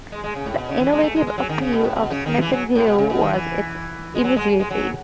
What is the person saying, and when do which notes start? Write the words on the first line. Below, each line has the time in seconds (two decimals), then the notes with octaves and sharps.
The innovative appeal of "Sniffin' Glue" was its immediacy.
0.12 G#3
0.24 G#3
0.35 C#3
0.46 A2
0.58 B2
0.69 C#3
0.81 E3
0.92 G#3
1.03 A3
1.16 G#3
1.27 G#3
1.38 F#3
1.49 D#3
1.61 C#3
1.73 B2
1.84 A2
1.96 B2
2.10 C#3
2.26 D#3
2.41 E3
2.52 F#3
2.75 A2
2.87 B2
2.98 C#3
3.10 B2
3.21 D#3
3.33 E3
4.15 G#3
4.24 F#3
4.36 G#3
4.59 G#3
4.70 F#3